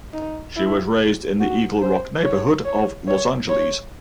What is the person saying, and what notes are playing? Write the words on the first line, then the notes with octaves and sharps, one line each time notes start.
She was raised in the Eagle Rock neighborhood of Los Angeles.
D#4
E4
F#4
C5
C#5
C#5
C#5
C#5